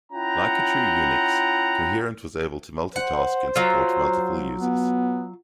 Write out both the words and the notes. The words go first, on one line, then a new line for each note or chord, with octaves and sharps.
Like a true Unix, Coherent was able to multitask and support multiple users.
C#4 E4 F4 F#5 G5 A#5
C5 F#5
F#3 F4
B3